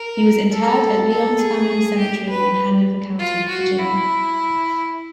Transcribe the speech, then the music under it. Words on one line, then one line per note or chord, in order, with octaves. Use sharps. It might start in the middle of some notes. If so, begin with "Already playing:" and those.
He was interred at Lyons Family Cemetery in Hanover County, Virginia.
Already playing: A#4
A4
A4
G#4
G4
B4
F4
F#4
E4